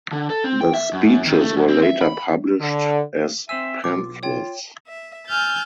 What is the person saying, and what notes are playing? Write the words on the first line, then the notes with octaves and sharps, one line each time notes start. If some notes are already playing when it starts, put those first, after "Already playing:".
The speeches were later published as pamphlets.
D3
A4
C4
G5
E5
F#2
D#3
A3
F#2
C4
E5
B5
D3
C4 C5 E5 G#5 E6
B1 F4 D6
F4 C#5 G5
E5
G#5 E6 F6 G6 A6